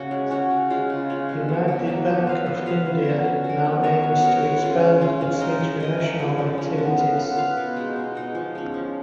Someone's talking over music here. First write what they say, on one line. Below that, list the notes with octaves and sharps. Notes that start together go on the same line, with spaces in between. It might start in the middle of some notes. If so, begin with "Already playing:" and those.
United Bank of India now aims to expand its international activities.
Already playing: C#3 A#3 C#4 F#4
G#3
C#4 F#4
C#3
G#3 C#4 F4
C#3
G#3 C#4 F4
B2
F#3 A#3
B2
F#3 A#3
B3
F4 B4 F5
B3
F4 B4 F5
C#4
F#4 A#4
C#4
F#4
A#4
B3
F#4 A#4 C#5
B3
F#4 A#4 C#5
G#3
C#4 F4
G#3
C#4 F4
G#3
D#4 A#4 D#5
G#3
D#4 A#4 D#5
F3
G#3 C#4
F3
G#3 C#4
B3
F4 B4 F5
B3
F4 B4 F5
B2
G#3 D#4
B2
G#3 D#4
F3
G#3 C#4
F3